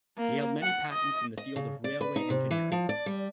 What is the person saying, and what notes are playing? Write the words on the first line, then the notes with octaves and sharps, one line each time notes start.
He held many patents in the field of railway engineering.
A#3
F#5
D#5
D#5
C#3
D5
B4
D#4
C3
E3
F3
D5
G3